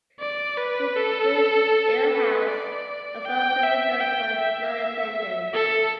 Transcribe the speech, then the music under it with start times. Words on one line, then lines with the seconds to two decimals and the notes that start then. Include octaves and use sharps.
She gave ill health as the official reason for her non-attendance.
0.20 D5
0.57 B4
0.96 A4
2.11 B4
2.48 D5
3.25 G5
3.63 E5
4.00 G5
4.39 E5
5.53 A4